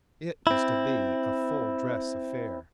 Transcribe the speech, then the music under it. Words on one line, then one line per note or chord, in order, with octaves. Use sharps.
It was to be a full-dress affair.
C4 E4